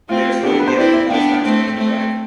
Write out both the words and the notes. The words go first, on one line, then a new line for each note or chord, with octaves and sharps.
They are slowly getting into this vaccination drive.
A3 C4 F4
B3 D4 G4
A4
B4
C5
C4 E4 D5
E5
F5
B3 D4 G5
A3 C4
A3 C4